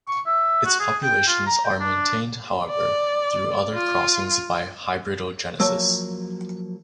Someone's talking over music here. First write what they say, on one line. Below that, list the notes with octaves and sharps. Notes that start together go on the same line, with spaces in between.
Its populations are maintained however through other crossings by hybridogenesis.
C#6
E5
F#4
G#4
G5
F4
A#5
G5
D4
D5
F4
F3 F#3 A#3 C#5 A5 E6